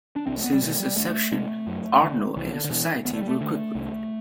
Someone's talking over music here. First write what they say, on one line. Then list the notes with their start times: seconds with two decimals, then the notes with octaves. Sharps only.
Since its inception, Arnold Air Society grew quickly.
0.16 D4
0.27 C2 C4
0.37 A3
0.44 B3
0.54 G3
0.62 B2 A3
0.80 G3
0.96 D2 A3
1.32 C3
1.67 F#2
2.01 D3
2.36 C2 E3
2.53 D3
2.65 D3
2.70 B2 E3
3.05 D2 B3
3.13 A3
3.22 G3
3.29 A3
3.41 D3
3.75 C2